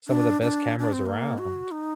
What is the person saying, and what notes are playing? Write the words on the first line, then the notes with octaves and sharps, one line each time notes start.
some of the best cameras around.
D4
D4
D4
C4
A#3
F#4
D#4